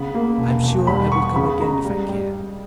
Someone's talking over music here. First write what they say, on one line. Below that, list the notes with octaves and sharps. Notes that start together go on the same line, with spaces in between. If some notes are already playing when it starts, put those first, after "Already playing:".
"I'm sure I will come again if I can."
Already playing: C#3 B3 B5
A#3
E1
E1
G3 B5
B3 C#6
C#3 B5
G#3 A#5
G3
G3